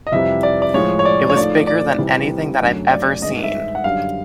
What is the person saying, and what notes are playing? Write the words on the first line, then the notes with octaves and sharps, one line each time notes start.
It was bigger than anything that I've ever seen.
D#5
F2 C3 E3 G3 E5
D5
D5
A2 F3 G#3 C#5
C#5
D5
C#5
G#2 F3 A3 D5
D5
C3 E3 G3
F#2 D3 F#3 A3
D5
G2 D#3 G#3 D#5
E5
F#5
F#2 D3 G3 F5